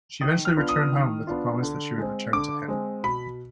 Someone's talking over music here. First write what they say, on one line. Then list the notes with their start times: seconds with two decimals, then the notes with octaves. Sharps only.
She eventually returned home with the promise that she would return to him.
0.21 D#3 D#6
0.45 F6
0.57 B3 D4 F4
0.69 D#6
0.92 D#3
1.27 B3 D4 F4
1.62 D3
1.98 G#3 C4
2.33 D3 D6
2.68 G#3 C4
3.04 B2 B5